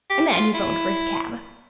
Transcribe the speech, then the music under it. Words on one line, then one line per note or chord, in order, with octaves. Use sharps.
And then he 'phoned for his cab.
G4
F4
E4